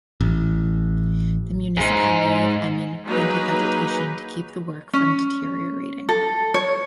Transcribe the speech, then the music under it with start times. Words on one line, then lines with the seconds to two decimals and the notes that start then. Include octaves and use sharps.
The municipality of Emmen planted vegetation to keep the work from deteriorating.
0.21 A1
1.77 E2 G#2
3.04 F#3 A#3 D#4 G#4 B4
4.93 C#4
6.09 A4
6.54 C#5